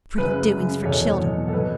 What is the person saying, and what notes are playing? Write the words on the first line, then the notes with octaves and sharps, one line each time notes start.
Pretty doings for children.
F#2 C#3 F#3 B4
F#2 C#3 F#3
E2 B2 F#3 A4 C#5
E2 B2 F#3
A4
B2 F#3 B4